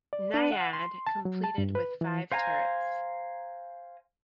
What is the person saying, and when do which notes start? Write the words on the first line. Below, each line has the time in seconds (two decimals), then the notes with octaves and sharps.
"Naiad" completed with five turrets.
0.13 D5
0.34 D4
0.52 F#5
0.73 C6
1.07 A5
1.25 F#3
1.44 A5
1.58 G2
1.75 B4
2.01 E3
2.32 C5 F5 G#5 A#5